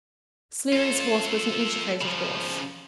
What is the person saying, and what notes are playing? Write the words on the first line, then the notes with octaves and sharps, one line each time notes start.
Sleary's horse was an educated horse.
F4 A4
C#3 F3